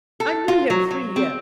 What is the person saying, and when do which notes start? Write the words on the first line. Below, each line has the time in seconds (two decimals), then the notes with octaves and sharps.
I knew him three years.
0.20 A4
0.48 F4
0.70 F#3
0.91 F#3
1.16 C4